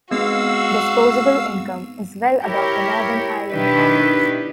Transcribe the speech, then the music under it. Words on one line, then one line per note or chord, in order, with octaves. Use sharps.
Disposable income is well above the Northern Ireland average.
G#3 B3 C4 D#4 F#4 F5 E6
E4 G4 A#4 C#5
B2 D#3 D4 E4 G4 B4